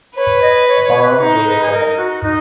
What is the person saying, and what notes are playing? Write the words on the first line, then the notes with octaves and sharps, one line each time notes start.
Bomb Data Center.
B4 C#5
D#5
C#5
C#5
B4
D#4
B4
G#4
A#4
F#4
D#4